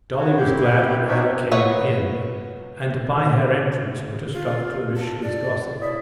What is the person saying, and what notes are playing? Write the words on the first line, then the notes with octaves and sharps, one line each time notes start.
Dolly was glad when Anna came in, and by her entrance put a stop to Annushka's gossip.
F#4 C#5
E4 G4 C5
C4 D4 D#4 C#5 D5 E5
B3 F4 F#4 C#5
F4
A5
D5
E4 C#5 D5 D#6